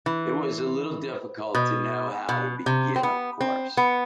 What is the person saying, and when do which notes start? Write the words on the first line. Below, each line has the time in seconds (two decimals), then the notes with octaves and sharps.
It was a little difficult to know how to begin, of course.
0.06 E3
1.55 B2
2.29 B2
2.66 C3
2.96 C4
3.03 B3
3.41 C4
3.77 B3